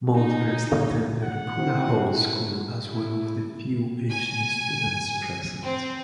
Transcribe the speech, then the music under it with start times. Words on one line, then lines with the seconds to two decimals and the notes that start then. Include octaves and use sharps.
Maul first attended Punahou School as one of the few Asian students present.
0.15 D#4
1.22 F#5
1.57 C4 E4 F#4
2.91 E4
4.10 G#5
5.62 C4